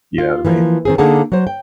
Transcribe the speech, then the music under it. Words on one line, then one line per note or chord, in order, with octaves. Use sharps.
You know what I mean?
F4
E3 F3 A#3
D#3 C4 G#4
D3 A#3 D#4 G#4 F#5 A5
F#3 C5
G5